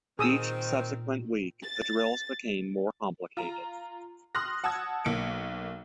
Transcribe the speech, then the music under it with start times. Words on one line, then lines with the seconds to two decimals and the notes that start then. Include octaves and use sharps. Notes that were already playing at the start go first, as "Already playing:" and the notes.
Each subsequent week, the drills became more complicated.
0.19 A#2 D#3 C4 G#4 D#6 E6
1.63 A6
3.37 F4 A#5
4.35 C6 D#6 F6 F#6 A#6
4.64 F#5 A5 D#6 E6 G#6
5.05 B1 A#3 C#7 D7